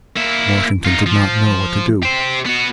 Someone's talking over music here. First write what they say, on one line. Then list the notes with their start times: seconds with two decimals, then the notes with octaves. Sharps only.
Washington did not know what to do.
0.16 A#3 E4
0.85 D#4 F4
1.06 F3
2.03 G4 C5
2.46 B3 F#4